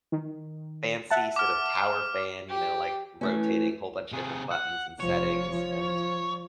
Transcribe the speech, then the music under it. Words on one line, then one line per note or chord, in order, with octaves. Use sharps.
fancy sort of tower fan, you know, like, rotating, whole bunch of different buttons and settings, and,
D#3
E5 F#5 A5
D6 F6
G4
E3 A3 C#4
C3 G#4
F#5
F1 F3 C#5
F3